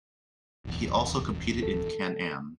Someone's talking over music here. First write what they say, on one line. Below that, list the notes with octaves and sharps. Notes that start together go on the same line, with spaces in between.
He also competed in Can-Am.
D1 B1 E2
A4